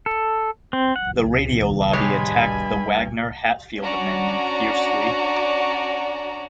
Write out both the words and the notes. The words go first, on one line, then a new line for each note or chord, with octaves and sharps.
The radio lobby attacked the Wagner-Hatfield amendment fiercely.
A4
C4
F#5
G2 G#3 G4 C#5 G#5 B5
C#4 D4 F#4 D5 A#5